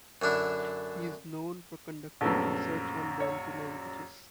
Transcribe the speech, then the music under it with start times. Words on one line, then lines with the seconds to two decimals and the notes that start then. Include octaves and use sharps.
He is known for conducting research on Bantu languages.
0.22 F#2 D3 D4 E4
2.21 A#1 F#2 A3 B3 E6
3.20 C#5